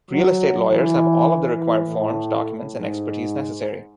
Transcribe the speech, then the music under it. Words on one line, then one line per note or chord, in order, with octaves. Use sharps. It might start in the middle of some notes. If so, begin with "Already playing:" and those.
Real estate lawyers have all of the required forms, documents and expertise necessary.
F#3
E3
E3
A2
G#2